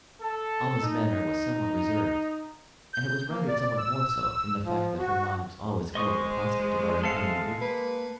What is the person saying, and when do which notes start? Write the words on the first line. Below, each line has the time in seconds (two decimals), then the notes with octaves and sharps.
Almah's manner was somewhat reserved, and it was rendered somewhat more so from the fact that her mind was always full of the prospect of our impending doom.
0.22 A4
0.83 D#4
2.94 G6
3.30 A#3
3.48 D5
3.78 E6
4.65 F3
4.99 F#4
5.95 G#3 C5 D#5 C#6 D#6
7.03 C4 A4 E5 F5 A5 C#7
7.61 A#3 B4 C7